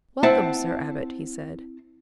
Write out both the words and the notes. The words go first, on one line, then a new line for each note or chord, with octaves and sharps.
"Welcome, Sir Abbot!" he said.
C4 E4 F#5 A5